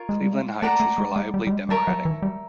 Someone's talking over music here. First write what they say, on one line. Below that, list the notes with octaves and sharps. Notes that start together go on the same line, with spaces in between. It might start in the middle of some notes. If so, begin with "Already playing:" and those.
Cleveland Heights is reliably Democratic.
Already playing: F4 A#4 C#5
G#3
G3
G#3
A3 A4 D5 F#5 A#5
A3
G#3
G#3
G3
G3
G#3
G3 A#4 C#5 E5 A5
F#3
E3
G3